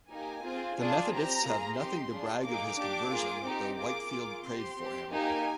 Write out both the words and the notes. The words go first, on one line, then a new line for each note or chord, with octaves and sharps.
The Methodists have nothing to brag of his conversion, though Whitefield prayed for him.
A#3 D#4 G4 G#5
C4 F4 G#4
D4 F4 G#4
C4 G4 A#5
A#3 F4 G#4
C4 D#4 G4 C6
D4 F4 G#4
A#3 D#4 G#4 D6
D4 G4
A#3 F4 G#4
C4 D#4 G4
A#3 F4 G#4 D6
A#3 F4 G#4
C4 G4 C6
C4 G4
A#3 D#4 G4 G#5